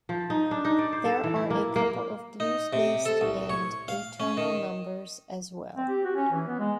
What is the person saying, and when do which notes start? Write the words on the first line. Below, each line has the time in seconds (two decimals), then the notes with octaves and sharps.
There are a couple of blues-based and atonal numbers as well.
0.09 F3
0.30 D#4
0.51 D4
0.65 D#4
0.79 D5
0.93 C5
1.05 A4
1.24 E3
1.36 E4
1.50 A#3
1.76 A#3
2.40 D#4
2.73 C3
3.06 A4
3.21 C2
3.50 C#5
3.88 F5
4.20 C#4
4.37 D#3
5.76 C4
5.89 G4
6.04 F#4
6.15 C#4
6.32 E3
6.47 B3
6.59 G#3